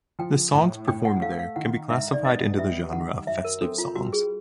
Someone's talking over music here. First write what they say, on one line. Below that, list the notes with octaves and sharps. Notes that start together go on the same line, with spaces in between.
The songs performed there can be classified into the genre of festive songs.
F3 G5
A2 G5
A2 G5
F#5
A3 F5
F5
D#3 F#5
G#2 E5
D5
B3 D#5
G3 E5
D#3 F#5
F#2 E5
A#4
C4 A4
F4
G3 F#4
G#4